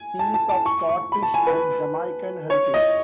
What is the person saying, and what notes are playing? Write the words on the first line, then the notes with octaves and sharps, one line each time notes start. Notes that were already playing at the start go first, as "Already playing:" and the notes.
He is of Scottish and Jamaican heritage.
Already playing: G#5
A5
A5
A5
C#6
C#6
B5
A5
G#5
B4
C#5
D#5